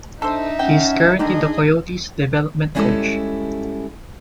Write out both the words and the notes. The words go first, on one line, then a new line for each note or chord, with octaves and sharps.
He is currently the Coyotes' development coach.
D4 D#4 A4 C5 E5
C#4 F#5 G5
D3 D#3 D4 D#4 G#4 D5 D#5
G3 G#3 C#4 E4 G4 A4